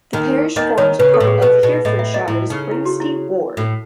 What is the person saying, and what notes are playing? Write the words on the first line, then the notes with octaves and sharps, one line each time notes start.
The parish forms part of Herefordshire's Bringsty ward.
D#2 D#3
D#2 D#3 D#5
D#2 D#3 C#5
C#3 B4
A4
A2
G#4
B2 B4
B2
A2 D#5
E5
D#5
A2 E4
C#3 D#4
E4
F#4
E4
A2